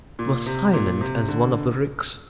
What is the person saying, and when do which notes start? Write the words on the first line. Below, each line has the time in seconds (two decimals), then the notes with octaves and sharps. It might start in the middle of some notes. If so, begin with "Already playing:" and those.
It was silent as one of the ricks.
0.19 A#2
0.46 C3
0.73 A#2
1.01 C3
1.28 D3